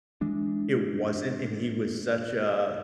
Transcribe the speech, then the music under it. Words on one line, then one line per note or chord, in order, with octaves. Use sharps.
it wasn't, and he was such a
E3 G#3 D4